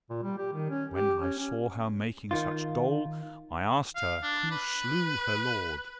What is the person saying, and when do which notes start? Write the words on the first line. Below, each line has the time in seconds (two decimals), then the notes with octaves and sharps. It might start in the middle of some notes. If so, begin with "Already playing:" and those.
And when I saw her making such dole, I asked her who slew her lord.
0.10 A#2
0.23 G3
0.38 G4
0.53 D#3
0.70 C#4
0.94 G4
1.20 C#4
1.38 C#4
2.31 D#3 F4
3.96 F5
4.23 D4
4.51 B4